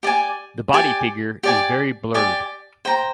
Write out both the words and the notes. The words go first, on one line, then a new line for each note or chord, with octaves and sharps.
The body figure is very blurred.
G4 D5 G#5
G4 D5 G#5
G4 D5 G#5
G4 D5 G#5
C5 G5 A#5